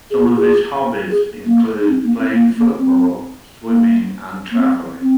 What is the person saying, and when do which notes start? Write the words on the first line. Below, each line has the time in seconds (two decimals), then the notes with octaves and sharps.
Some of his hobbies include playing football, swimming, and traveling.
0.11 G#4
0.24 F4
0.38 G#4
1.11 G#4
1.44 A#3
1.80 D#4
1.89 C4
2.04 A#3
2.19 C4
2.33 A#3
2.57 A#3
2.78 C4
3.67 A#3
4.51 A#3
4.57 C4
5.01 C4